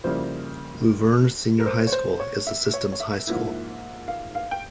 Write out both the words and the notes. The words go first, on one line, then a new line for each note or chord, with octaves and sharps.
Luverne Senior High School is the system's high school.
F2 C#3 G3 A#3 E4 C5
A#4
C5
C#5
C5
C#5
E5
C#5
C#5
E5
G#2 F3 A#3 E4
F5
F5
G5